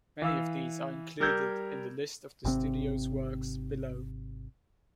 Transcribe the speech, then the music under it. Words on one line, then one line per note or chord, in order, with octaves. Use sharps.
Many of these are included in the list of the studio's works below.
E3 F5 E6
G3 A#4 E6 G6 G#6
G#1 C3 D#3 C4